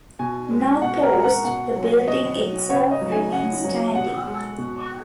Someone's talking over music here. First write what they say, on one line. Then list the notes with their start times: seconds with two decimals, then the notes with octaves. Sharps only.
Now closed, the building itself remains standing.
0.19 B2 G#5
0.51 G#3
0.82 B2 F#5
1.03 A#4
1.13 G#3
1.24 F#5
1.44 B2 F#5
1.76 F#3
2.07 B2 D#5
2.39 F#3
2.70 C#3 C#5
2.91 D#5
3.01 F#3
3.12 G#5
3.33 C#3 F#5
3.64 F#3
3.95 B2 F#5
4.27 G#3
4.58 B2